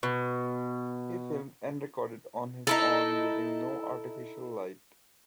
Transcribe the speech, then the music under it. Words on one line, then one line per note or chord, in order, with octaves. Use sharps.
He filmed and recorded on his own, using no artificial light.
B2
D#4 E4 A4